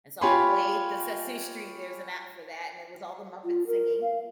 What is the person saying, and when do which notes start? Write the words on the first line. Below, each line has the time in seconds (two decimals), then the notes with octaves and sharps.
And, so I played the Sesame Street, There's an App for That, and it was all the Muppets singing
0.21 F4 G4 C#5 G#5 B5 C6
3.44 F4
3.67 A#4
4.02 F5